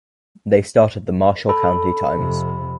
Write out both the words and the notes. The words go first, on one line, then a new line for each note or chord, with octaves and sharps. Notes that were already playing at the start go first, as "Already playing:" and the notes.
They started the "Marshall County Times".
A4 B5
F2 C3